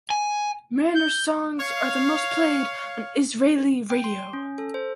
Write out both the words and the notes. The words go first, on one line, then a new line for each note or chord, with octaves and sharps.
Manor's songs are the most played on Israeli radio.
G#5
G6
C#5 F5
G5
C6
C#4
A4
C5